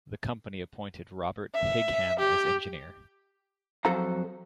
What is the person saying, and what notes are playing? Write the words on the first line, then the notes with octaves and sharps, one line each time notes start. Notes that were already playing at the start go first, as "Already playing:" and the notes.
The company appointed Robert Higham as engineer.
E5
G4
F2 F#3 A4 C5 F5 A#5